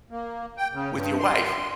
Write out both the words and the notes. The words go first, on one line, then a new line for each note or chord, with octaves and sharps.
With your wife.
A#3
G5
C#3
G2
C6